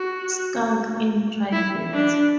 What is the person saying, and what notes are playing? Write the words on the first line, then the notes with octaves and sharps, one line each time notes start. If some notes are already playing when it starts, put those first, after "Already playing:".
Skunk in private.
Already playing: F#4
E4
D4